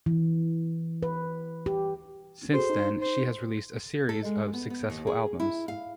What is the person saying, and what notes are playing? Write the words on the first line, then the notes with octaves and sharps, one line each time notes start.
Since then she has released a series of successful albums.
E3
B4
G4
F#4 G#4 A4 C5
D#4
C5
A4
G#3
B3
B3
D#2
G#4
E4
F5